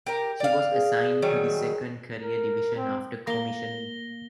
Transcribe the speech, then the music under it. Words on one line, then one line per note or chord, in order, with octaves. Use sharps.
She was assigned to the Second Carrier Division after commissioning.
G4 A#4
D5 F5
G#4
D#3 F#3 G3
A#4
C4
A#3 A#6 G7